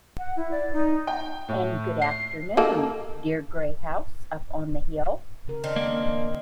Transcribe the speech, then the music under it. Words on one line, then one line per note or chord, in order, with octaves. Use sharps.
And good afternoon, dear gray house up on the hill.
F#5
E4
D5
D#4
G5
A2
C7
A#3 D#4 A4
C#3 A#4
D#3 C4 D4
A#3